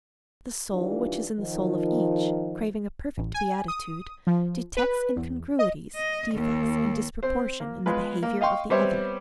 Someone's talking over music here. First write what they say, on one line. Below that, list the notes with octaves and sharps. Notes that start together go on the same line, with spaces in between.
The soul which is in the soul of each, craving a perfect beatitude, detects incongruities, defects and disproportion in the behavior of the other.
D#3 E3 G3 D4 F4
D#3 F3
A1
G#5
D#6
F3
B4
E2
D#5
D#5
D#2
C4 C5
A#3
G#3 B3 F4 B4
A#3
D#5 F5 G5 C6 C#6
G3 B3 C4 C5 C#5 E5